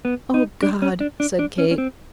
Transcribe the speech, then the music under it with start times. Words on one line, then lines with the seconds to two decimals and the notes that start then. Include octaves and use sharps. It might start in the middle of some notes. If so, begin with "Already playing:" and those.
"O God!" said Kate.
0.05 B3
0.34 D#4
0.62 D4
0.82 C#4
1.00 D4
1.20 D4
1.39 D4
1.58 C#4
1.71 C#4
1.78 C4